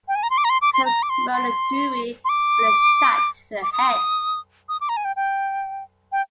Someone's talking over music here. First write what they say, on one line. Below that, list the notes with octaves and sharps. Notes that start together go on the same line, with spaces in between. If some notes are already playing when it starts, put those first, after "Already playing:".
Cook murdered Dewey with a shot to the head.
G5
G#5
A#5
C6
D6
A#5
C6
D6
C6
A#5
D6
C6
C6
C6
D6
D6
D#6
D#6
D6
A#5
G#5
G5
G5
G5